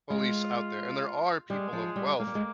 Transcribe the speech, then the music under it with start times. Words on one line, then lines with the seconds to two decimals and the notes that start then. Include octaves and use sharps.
police out there, and there are people of wealth
0.10 G#3 F4
1.50 G3 G#3
1.73 F3
1.96 G3
2.19 G#3 A#3
2.27 G3
2.35 G#3